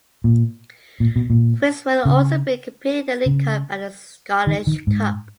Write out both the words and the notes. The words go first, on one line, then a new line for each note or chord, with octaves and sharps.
Queens will also be competing in the League Cup and the Scottish Cup.
A#2
A#2
B2
A#2
C#3
C#3
D#3
D#3
G#2